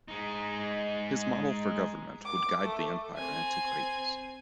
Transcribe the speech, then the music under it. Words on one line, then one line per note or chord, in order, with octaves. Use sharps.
His model for government would guide the empire into greatness.
G#3 D#4
D6
A3
C4 G#5